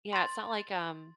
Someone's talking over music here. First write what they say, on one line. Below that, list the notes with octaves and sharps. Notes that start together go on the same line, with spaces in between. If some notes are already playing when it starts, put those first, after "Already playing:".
Yeah, it's not like, um,
C6 A6